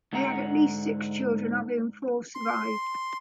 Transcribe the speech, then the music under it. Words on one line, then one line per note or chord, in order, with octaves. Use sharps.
They had at least six children, of whom four survived.
G#2 D3 G#3 F#5 A#5
C6